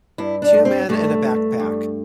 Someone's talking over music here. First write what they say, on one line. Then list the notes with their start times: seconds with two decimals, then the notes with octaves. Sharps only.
Two men and a backpack.
0.18 G2 E4
0.42 D4
0.54 G2
0.65 C4
0.89 G2 A3
1.24 G2
1.59 G2